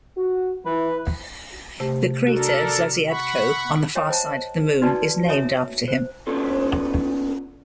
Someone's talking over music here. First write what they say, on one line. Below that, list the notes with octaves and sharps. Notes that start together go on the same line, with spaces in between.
The crater Zasyadko on the far side of the Moon is named after him.
F#4
E3 B4
C3 A3 G4
D4 F#4 A4 A#4
F#5 B5 C#6
C#5 D#5 G5 G#5
C5 D#5 A5 A#5
D#4 F#4 B4 D5 G#5 A5
C#5 E5 G#5 A#5 D#6
C5
A#3 B3 C#4 D4 F4 A4